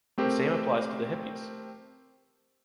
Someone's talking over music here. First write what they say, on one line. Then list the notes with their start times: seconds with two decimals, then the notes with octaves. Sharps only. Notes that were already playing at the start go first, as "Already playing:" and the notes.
The same applies to the hippies.
0.18 A3 C4 G4 A#4 C5